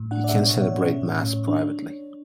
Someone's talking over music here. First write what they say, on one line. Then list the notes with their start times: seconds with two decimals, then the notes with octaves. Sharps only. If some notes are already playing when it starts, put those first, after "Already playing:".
He can celebrate Mass privately.
Already playing: A2
0.11 D4 F#5
0.24 D5
0.29 B2 E5
0.46 C#5
0.57 B2
0.62 C#5
0.79 C#4
1.02 A2
1.24 A2
1.47 D4